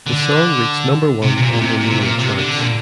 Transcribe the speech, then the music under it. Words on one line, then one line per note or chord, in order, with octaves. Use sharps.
The song reached number one on Romanian charts.
D3
C3
C3
A#2
A#2
C3
A#2
C3
A#2
C3
D3
A#2